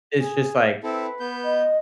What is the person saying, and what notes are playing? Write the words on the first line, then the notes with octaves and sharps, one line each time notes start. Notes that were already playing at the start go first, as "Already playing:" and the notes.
it's just, like,
G#4
C4 E4 A4 B4
B3 G6
D#5